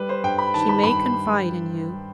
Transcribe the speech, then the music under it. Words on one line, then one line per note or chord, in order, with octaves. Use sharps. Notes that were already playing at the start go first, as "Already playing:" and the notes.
She may confide in you.
Already playing: G3 B4
C5
G2 G5
B5
D#3 A5
B5
G2 B5